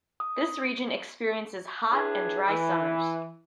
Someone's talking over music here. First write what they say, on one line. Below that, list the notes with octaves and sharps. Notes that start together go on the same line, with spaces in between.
This region experiences hot and dry summers.
D#6
D4 E4 G4 G#4 B4 C#5
E3